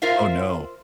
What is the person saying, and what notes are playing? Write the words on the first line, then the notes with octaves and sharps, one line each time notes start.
Oh, no.
F4 A#4 C5 E5 F5